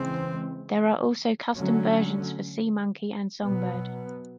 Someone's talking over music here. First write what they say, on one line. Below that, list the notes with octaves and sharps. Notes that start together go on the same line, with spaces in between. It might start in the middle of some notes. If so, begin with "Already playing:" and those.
There are also custom versions for SeaMonkey and Songbird.
Already playing: C#3 E3 G#3 C4
D3 F#3 A3 C#4
B2 F#3 B3